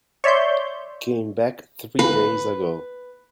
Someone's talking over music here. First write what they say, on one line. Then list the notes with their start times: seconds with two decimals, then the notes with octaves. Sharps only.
Came back three days ago.
0.24 C#5 D5 E5 C6 G6
1.99 B4